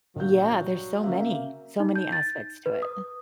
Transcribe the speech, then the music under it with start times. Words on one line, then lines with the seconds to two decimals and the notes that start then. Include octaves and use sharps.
Yeah, there's so many. So many aspects to it.
0.16 A#1 F#3 A#3 G6
0.48 G2
1.04 C#3 A#3 E5
1.80 D#4
1.95 G6
2.12 A6
2.66 B4
2.82 D#6